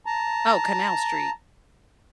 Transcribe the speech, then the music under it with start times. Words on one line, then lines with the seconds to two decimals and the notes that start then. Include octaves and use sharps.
Oh, Canal Street.
0.06 A5 A#5